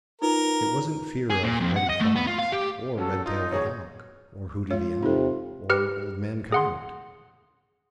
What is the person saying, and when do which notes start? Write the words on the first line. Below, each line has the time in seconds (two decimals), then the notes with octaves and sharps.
It wasn't fear of Reddy Fox, or Redtail the Hawk, or Hooty the Owl, or Old Man Coyote.
0.22 D#4 F4 A#4 B4
1.30 G#4
1.44 A#2
1.60 F2
1.77 F#5
1.90 D#5
2.01 A3
2.16 B3
2.27 F4
2.38 F5
2.52 G4
2.97 F#3 C#4 A4
3.26 D#4 F4
3.51 G#1 B2 G#4 C#5
4.70 G#3 F4 C#5
5.03 C3 D#4 A4
5.70 G4 B4 F6 C#7
6.52 G#4 F#5 C6